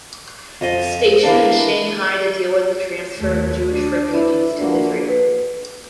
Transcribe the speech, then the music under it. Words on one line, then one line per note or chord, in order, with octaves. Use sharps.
Stationed in Shanghai to deal with the transfer of Jewish refugees to Israel.
F2 D#5
E3 A#3 D4
D#2 A3
D4
D3 E4 B4
F3 A#3 D4 F#4
B4